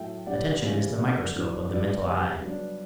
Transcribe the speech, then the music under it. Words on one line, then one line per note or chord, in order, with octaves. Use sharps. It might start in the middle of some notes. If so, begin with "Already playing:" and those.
Attention is the microscope of the mental eye.
Already playing: A2 F#3 A3 E5 G5
A2 G3 B3 D4 D5 F#5
C#3 E3 G3 C#4
D3 A3 D4
A2 F#3 B3 D4
G2 F#3 A3 B4 D5
C#3 G3 B3
G2 F#3 B3 D4